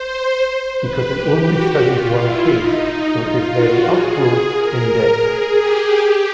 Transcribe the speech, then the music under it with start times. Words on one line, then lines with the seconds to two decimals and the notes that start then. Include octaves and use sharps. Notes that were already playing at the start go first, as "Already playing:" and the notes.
Because it only studies one case, so it is very up-close, in-depth.
Already playing: C5
0.76 B4
1.10 G4
1.45 F#4
1.79 F4
2.13 E4
2.47 D#4
3.16 F4
3.50 F#4
3.84 G#4
4.52 A#4
5.21 G#4
5.55 G4
5.89 G4